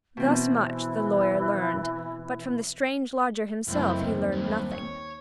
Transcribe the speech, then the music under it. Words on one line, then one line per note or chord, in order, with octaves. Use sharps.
Thus much the lawyer learned, but from the strange lodger himself he learned nothing.
B2 E3 C4
C#2 F#2 A3 C4 E4
D#2 D#3 C4
G2
C#5